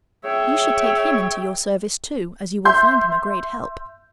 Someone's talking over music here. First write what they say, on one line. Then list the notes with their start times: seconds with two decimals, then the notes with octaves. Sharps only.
You should take him into your service too, as you will find him a great help.'
0.24 G#4 C#5 E5 G5
2.65 E5 C6 G6